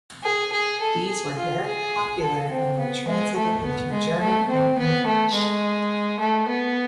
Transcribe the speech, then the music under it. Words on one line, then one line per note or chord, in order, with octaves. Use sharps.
These were very popular and were translated into German and English.
G#4
G#4
A4
G#4
F4
G#4
A4
C4
B3
G#3
A3
B3
G#3
A3
C4
B3
A3
G#3
A3
B3